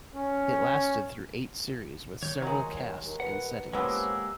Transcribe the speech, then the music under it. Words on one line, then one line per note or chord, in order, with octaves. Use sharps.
It lasted through eight series, with several casts and settings.
C#4
D#3 C#5 G6
D#2 F#3 G#3 A#5 C6
B4 F#5
F3 G#3 A#3 B3 C#4 G4 F#5 E6